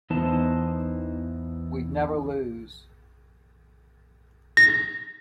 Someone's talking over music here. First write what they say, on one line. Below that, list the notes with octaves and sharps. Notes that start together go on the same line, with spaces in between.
We'd never lose.
E2 E3 B3 D#4 C5 A5
A#6